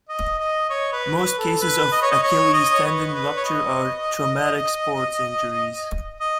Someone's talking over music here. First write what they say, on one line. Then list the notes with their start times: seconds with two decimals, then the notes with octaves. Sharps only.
Most cases of Achilles tendon rupture are traumatic sports injuries.
0.09 D#5
0.39 D#5
0.70 C#5
0.93 B4
1.16 B4
1.38 A4
1.61 B4
1.92 D#5
2.02 C#5
2.11 D#5
2.23 C#5
2.53 D#5
2.73 C#5
2.84 B4
3.14 B4
3.36 C#5
3.44 D#5
6.20 D#5